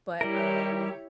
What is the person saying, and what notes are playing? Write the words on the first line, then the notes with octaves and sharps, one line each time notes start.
But, um
G3 E4 G4 A#4 C#5